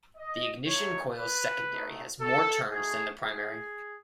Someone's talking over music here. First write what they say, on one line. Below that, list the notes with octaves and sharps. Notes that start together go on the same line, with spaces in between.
The ignition coil's secondary has more turns than the primary.
D#5
A3 D#4 F#4 C#5
B4
A3 D#4 F#4
A4
A3 D#4 F#4 G#4
G#4